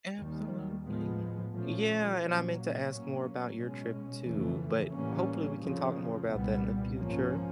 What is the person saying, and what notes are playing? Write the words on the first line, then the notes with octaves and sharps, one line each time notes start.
Absolutely. Yeah, and I meant to ask more about your trip too, but hopefully, we can talk more about that in the future.
D#2 D#3 G3
A2 F3 G#3 B3
A#2 F3 A3 C#4
A#2 F#3 A#3 C#4
A2 F#3 A#3 C#4
B2 G#3 C#4
F2 C#3 E3 A3
A2 E3 G3 A#3 C#4
F2 C#3 F3
C2 A#2 G3 B3
G#2 F3 A#3 C#4